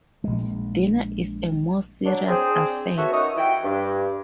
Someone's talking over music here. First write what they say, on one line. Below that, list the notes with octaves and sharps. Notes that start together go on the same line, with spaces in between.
Dinner is a more serious affair.
A#1 G#3
F#3 D4
C4 D4 G#4
B3 F#4 A4 B4 C#5 E5
F#2 D#4 F#4 E5 C#6 D#6
E3 E4 F#4 G5
G2